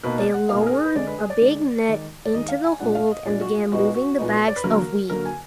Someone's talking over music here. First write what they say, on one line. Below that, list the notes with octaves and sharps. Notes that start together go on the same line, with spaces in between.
They lowered a big net into the hold and began moving the bags of wheat.
B2 A#3 D#4 B4
D5
F#5
B2 A#3 D#4 F5
G#4
A#4
G#4
B4
D3 G#3 D4 D5
B4
G#4
D5
D3 G#3 D4
D#3 G#3 D#4
D5
D#3 G#3 D#4 D#5
F5
G#5
A#2 G#3 D4 F#5
F5
D#5
A#2 G#3 D4 D5
F#4
F4
A#2 G#3 B3 D#4 F#4
F#4
A#2 G#3 B3 D#4
D5
B4
D3 F#3 A#3 A#4
D3 F#3 A#3 A#4
G#5